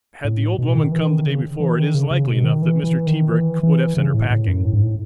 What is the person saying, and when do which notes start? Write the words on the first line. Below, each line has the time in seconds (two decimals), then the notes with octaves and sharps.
Had the old woman come the day before it is likely enough that Mr. Tebrick would have sent her packing.
0.25 A2
0.58 B2
0.75 D#3
0.92 E3
1.09 D#3
1.26 C#3
1.60 E3
1.77 D#3
1.94 C#3
2.11 C#3
2.27 B2
2.44 D#3
2.62 E3
2.84 E3
3.07 D#3
3.30 E3
3.63 E3
3.97 C#3
4.14 A2
4.30 A2
4.48 F#2
4.65 A2
4.73 G#2
4.82 A2